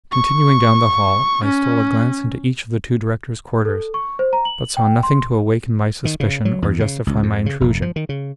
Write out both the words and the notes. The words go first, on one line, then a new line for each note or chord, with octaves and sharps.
Continuing down the hall, I stole a glance into each of the two directors' quarters but saw nothing to awaken my suspicion or justify my intrusion.
C#6
C#4
A4
C#6
C5
A#5
F#7
G5
C6
D#3
C#3
F#3
E2
C#3
C#2
F2
C#3
F1
F3
D#3
C#3